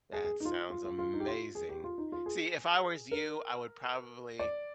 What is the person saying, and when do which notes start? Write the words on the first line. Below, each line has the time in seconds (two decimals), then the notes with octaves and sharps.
That sounds amazing. See, if I was you, I would probably
0.13 G#4
0.24 G#4
0.40 D#4
0.45 F4
0.70 F4
0.84 F4
0.99 F4
1.13 D#4
1.20 G4
1.28 F4
1.55 G#4
1.69 G4
1.84 F4
1.98 D#4
2.12 F4
2.26 G#4
3.12 A#4
4.40 D5